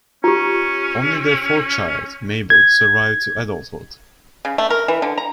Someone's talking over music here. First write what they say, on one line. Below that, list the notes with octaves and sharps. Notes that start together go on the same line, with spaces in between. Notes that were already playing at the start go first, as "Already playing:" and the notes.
Only their fourth child, Mabel, survived to adulthood.
C#4 F4 G4
G#6
C#3
A3
A#4
E3
D3
A#5